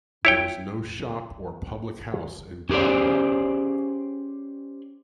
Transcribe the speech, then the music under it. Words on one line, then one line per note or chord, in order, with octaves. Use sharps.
There is no shop or public house in Broadwell.
E4 C#5 G5
C#4 G4 G#4 C5 D5